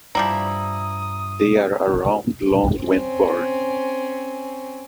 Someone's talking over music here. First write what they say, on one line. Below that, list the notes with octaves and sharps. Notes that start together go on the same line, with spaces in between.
They are around long when born.
G2 F3 G3 E4 A#5 D#6
C4 C#4